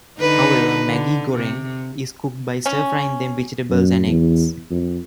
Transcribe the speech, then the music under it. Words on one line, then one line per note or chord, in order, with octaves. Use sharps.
However, "Maggi goreng" is cooked by stir-frying them with vegetables and eggs.
D3 D#4 B4
D3
C3
C#4
F#2
E2
F2